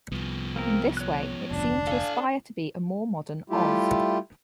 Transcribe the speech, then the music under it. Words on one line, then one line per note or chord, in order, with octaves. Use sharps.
In this way, it seemed to aspire to be a more modern Oz.
C2 F3 B3
A#3 C4 A#4
C#5 F#6
F1 D2 D4
A4 F5 G#5
G3 A3 E4 F4 G4